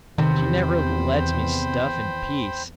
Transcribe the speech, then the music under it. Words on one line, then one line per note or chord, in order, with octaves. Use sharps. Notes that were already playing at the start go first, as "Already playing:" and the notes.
She never lets me stuff in peace.
E2 C3 D#3 C5 G5 B5